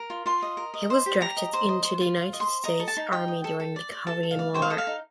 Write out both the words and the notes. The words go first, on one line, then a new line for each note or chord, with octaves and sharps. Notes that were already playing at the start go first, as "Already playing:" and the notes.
He was drafted into the United States Army during the Korean War.
Already playing: A#4
F4
F4 C6
D#5
A#4
D#5
C5
G4
G4 A#5
D#5
C5
D#5
C5
F4
F4
D#5
C6
C5
D#5 A#5
A4
A5
D#4
D#4 G5
D#5
A4
A4
D5
D5
A4 A5
A4
F5
D5
C5 G5
F5
A4 D#5
F5
D#4